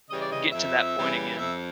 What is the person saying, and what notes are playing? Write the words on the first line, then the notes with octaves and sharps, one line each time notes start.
get to that point again."
C#3 E3 G3 D#5
D5
D#5
F2 E5
C#3 E3 G3
F2 E5